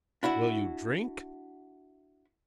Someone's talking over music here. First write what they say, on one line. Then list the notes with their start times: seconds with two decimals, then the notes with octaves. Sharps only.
"Will you drink?"
0.23 D4 E4 F#4 E5